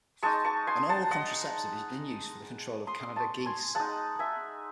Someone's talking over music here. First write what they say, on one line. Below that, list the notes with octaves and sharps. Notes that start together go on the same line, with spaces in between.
An oral contraceptive is in use for the control of Canada geese.
G#3 D#4 A5 C#6
A5 C#6
G#5 C6
F#5 A5
D#5 F#5
C6 D#6
A5 C#6
G#5 C6
G#3 D#4 F#5 A5
E5 G#5